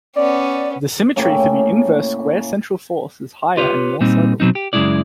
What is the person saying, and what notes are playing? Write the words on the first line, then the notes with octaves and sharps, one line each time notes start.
The symmetry for the inverse-square central force is higher and more subtle.
B3 C#4 D5
A2 C#3 A#3 G5
F4 G4 B4 C#5
A#2 G3 C4 D#4
B2 F#3 C4 D#4
G4
F#2 C#3 F#3 G#3 E4 D5